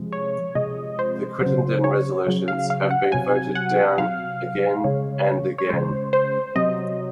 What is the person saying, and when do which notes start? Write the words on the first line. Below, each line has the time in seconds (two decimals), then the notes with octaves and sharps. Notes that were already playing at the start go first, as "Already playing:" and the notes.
The Crittenden resolutions have been voted down again and again.
Already playing: C3 F3 G#3
0.13 C#5
0.55 C3 F3 G#3 D#5
0.99 C5
1.41 C#3 F#3 C5
1.84 C#5
2.27 C#3 F#3
2.48 F5
2.70 F5
2.91 F#5
3.12 C3 F#3 G#5
3.55 F#5
3.98 C3 F#3 F5
4.84 C#3 G#3 C#5
5.58 C#5
5.70 C#3 G#3 C5
6.13 C5
6.55 C3 F#3 D#5